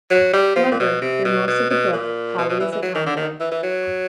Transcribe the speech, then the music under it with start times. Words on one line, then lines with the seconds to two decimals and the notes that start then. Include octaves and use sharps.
However, through most of the book Polly is a tomboy.
0.11 F#3
0.33 G3
0.56 F3
0.71 A#2
0.80 B2
1.02 C3
1.25 B2
1.48 B2
1.71 B2
1.93 A#2
2.38 B2
2.49 B2
2.60 E3
2.72 E3
2.83 F#3
2.95 D#3
3.06 D3
3.17 D#3
3.40 E3
3.51 E3
3.63 F#3